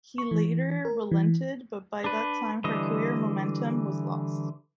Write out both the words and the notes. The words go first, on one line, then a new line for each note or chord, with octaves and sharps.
He later relented but by that time her career momentum was lost.
C#6
E3
A#4
E3
D4 B4
D3 E3 G3 D#5